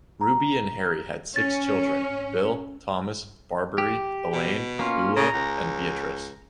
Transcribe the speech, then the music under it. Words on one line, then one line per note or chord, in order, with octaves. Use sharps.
Ruby and Harry had six children: Bill, Thomas, Barberry, Elaine, Ula and Beatrice.
A#5
C#4 A6
G4
B2
A#3 C#4 F4
C#3 A#5
C#2